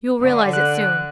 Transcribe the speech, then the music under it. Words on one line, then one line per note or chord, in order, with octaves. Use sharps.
You will realize it soon.
D3
F#6